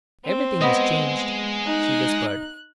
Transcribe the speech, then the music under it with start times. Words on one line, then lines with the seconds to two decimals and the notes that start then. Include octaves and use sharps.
"Everything is changed," she whispered.
0.24 C4
0.61 G#3 B3 D#5
1.67 D#4 F#6